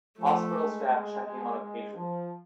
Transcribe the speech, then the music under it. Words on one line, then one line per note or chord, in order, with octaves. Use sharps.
Hospital staff checking on a patient.
F3 A3
G#3
G#3
G#3
G#3
F3